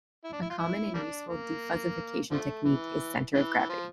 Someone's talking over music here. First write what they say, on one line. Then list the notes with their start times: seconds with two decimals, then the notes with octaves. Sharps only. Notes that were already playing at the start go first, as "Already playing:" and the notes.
A common and useful defuzzification technique is "center of gravity".
0.24 E4
0.33 D4
0.42 E4
0.50 F4
0.58 E4
0.94 G3 A#3 D4
1.28 A#3
2.31 D3 F3 A3
2.65 E3
3.34 C3 E3
3.58 E3
3.69 F3